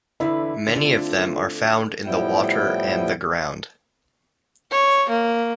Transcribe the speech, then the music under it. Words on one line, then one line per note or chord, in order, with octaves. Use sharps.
Many of them are found in the water and the ground.
E2 D3 E4 B4
D3 A3 C4 F4
A2 F3 G3 B3 E4 G5
C#5
A#3